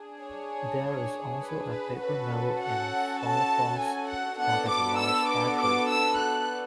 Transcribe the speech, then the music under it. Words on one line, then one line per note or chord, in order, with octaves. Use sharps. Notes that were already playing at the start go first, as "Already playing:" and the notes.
There is also a paper mill in Follafoss that is a large factory.
Already playing: D4 G#4
C#5
B4
B4
C#4 F#4 A4 B4
F#5
A5
G#5
F#5
B3 D4 F#4 A4 F#5
D6
E6
D6
D6
E6
F#6